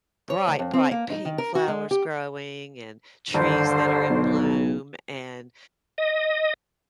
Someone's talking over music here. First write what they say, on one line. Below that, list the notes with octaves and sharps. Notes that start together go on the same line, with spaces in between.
bright, bright pink flowers growing, and trees that are in bloom, and
C#5
D2
F2
C4
A#3
D#4
D#3
A#4
F#4
G#3
G4
G1 D#2 D3 C5
B1
D#5